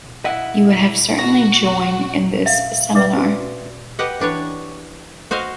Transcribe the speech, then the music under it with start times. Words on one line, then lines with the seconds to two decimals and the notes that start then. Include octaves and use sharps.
You would have certainly join in this seminar.
0.25 E4 D#5 F#5
1.18 F#4 A#5
2.46 E5 F5
2.95 B4 D5 E5 D6
3.17 F#4
3.99 G4 B4 D#5 F#5
4.20 E3 D4 B4 C#5
5.31 F#4 C5 D#5 F5